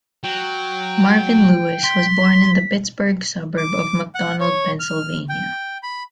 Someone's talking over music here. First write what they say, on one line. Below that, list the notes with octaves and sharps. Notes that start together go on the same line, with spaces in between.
Marvin Lewis was born in the Pittsburgh suburb of McDonald, Pennsylvania.
F#3 G5
C6 B6
D6
F#5
C#5
F6
G5
B5